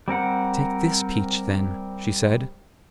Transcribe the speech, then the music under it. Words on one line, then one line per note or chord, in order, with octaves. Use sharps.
"Take this peach, then," she said.
G3 C4 A#4 F#5